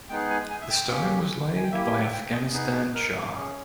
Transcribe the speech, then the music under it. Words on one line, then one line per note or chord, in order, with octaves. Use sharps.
The stone was laid by Afghanistan Shah.
G#3 B3 D#4 G#4 G5
G#5
G#5
E5
G5
A#3 C#4 G4
G#5
G5
A#3 E4 G4 E5
G#5
E5
G5
D#5
B3 D#4 G#4 B4
A#4
C#4 G#4